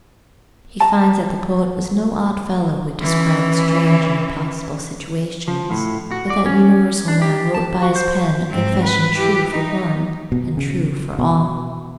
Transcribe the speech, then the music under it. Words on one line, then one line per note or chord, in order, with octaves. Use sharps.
He finds that the poet was no odd fellow who described strange and impossible situations, but that universal man wrote by his pen a confession true for one and true for all.
A5 A#5
E3 C#4
F3
A2
F#4
D5
C#4
D4
G4
A5
F#4
C5
G#2 C4
B4
E3 G4
D#4
B2
C#3
B2